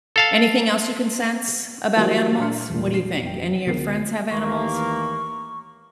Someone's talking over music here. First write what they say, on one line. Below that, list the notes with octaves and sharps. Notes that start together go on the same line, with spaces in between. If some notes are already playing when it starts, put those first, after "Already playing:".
anything else you can sense about animals? What do you think? Any of your friends have animals?
A4 F5 A5
E3 F#3 G3 A#3 F4 C5
A#2 D4 A5 C6 F6 C#7
E1 A#2
C7 E7
F1 G5
C#2 D3 B3 A#4 C7
D#2 E3 A#3 C#6